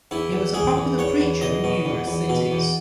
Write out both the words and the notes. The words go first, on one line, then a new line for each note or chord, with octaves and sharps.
He was a popular preacher in numerous cities.
E2 E4
E2
E2 G#4
E2
E2 C#5
E2
E2 D#5
B2
E2
E2
B2
E2